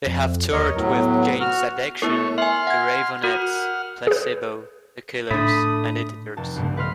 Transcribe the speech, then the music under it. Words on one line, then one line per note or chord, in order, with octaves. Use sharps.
They have toured with Jane's Addiction, The Raveonettes, Placebo, The Killers, and Editors.
F2
D#2 A#4 C#5 D#5
A2 F#3 B3
F#4 F6
A3 B3 E4 A#4 C#5
E5 G#5 C6 F6
F#5 G#6
F#4 A#4 F#5 F6
G#4 B4
A2 D3 A3 D4 B5 D#6
F1 A5
B1 G2 C#3 A3
F3 B4 D#5 C6 F6 B6